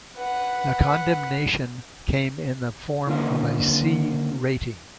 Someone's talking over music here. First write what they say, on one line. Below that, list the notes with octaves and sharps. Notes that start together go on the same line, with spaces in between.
The condemnation came in the form of a 'C' rating.
B4 F#5
D3 D#3 A#3 C#4 F4